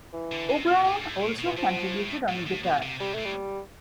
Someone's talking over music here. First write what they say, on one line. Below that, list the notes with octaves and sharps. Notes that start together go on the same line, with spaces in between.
O'Brien also contributed on guitar.
E3
D3
C3
B2
A2
G2
A2
A2
B2
E3
A2 F3
B2
A2
A2
A2
B2
C3
C3 G3
A2 A3
G3